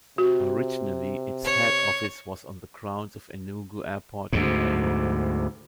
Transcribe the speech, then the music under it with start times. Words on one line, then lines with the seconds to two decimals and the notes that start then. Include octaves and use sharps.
Originally its head office was on the grounds of Enugu Airport in Enugu.
0.18 C3 F#4
1.45 C#5
4.33 D2 G#2